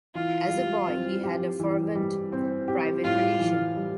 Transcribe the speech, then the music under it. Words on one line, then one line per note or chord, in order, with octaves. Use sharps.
As a boy he had a fervent private religion.
E3 F4
G3
C4
G4
E3
G3
C4
G4
A2 F4
E3
G3